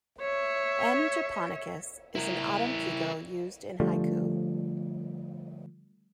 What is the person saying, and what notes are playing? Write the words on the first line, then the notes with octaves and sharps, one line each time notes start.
"M. japonicus" is an autumn kigo used in haiku.
C#5 E5
E4 A#4
D3 F3 G3 A3